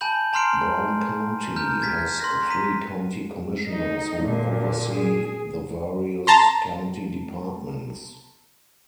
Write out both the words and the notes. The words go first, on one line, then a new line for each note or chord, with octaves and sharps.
Brown County has three County Commissioners who oversee the various County departments.
G#5 A5 B5 G6 F#7
G#5 A#5 C6 F6 C7 D7
A#5 F6 G6
F6 G#6 A6 B6
C6 F#6 A#6
A#5 B6 D#7
D#4
A#2 D3
G#4
A5 A#5 C6